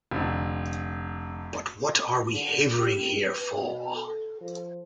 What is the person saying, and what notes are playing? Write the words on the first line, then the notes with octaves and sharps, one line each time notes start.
But what are we havering here for?
F1 D3
D3
G4
B4
B2
A4
F3